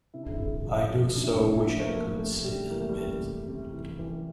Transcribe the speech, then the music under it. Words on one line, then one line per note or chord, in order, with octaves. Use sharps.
I do so wish I could see that bit!
C3 E4
D4
E4
C3
F3
F3
C3 D4
E4
D4
E4
C3 D4
E4
D4
F3 A3
A3
A#3
F3
A3
C3 A3
C3 G3
E3 A#3
A3
G3
E3 A3
C3
C3
E3
E3